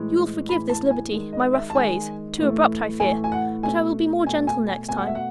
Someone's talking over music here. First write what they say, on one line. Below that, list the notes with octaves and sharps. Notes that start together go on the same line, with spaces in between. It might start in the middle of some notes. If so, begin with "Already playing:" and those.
If you will forgive this liberty,--my rough ways,--too abrupt, I fear--but I will be more gentle next time.
Already playing: A2 E3 G#3
A2 E3 G#3 B5
A5
G#5
D#3 G#3
D#5
E5
A5
D#3 G#3 G#5
A2 E3 A3
A2 E3 A3 G#5
G#5
F#5
B2 A3 G#5
B2 A3 G#5
G#5
G#5
B2 A3 G#5
F#5
E5
F#5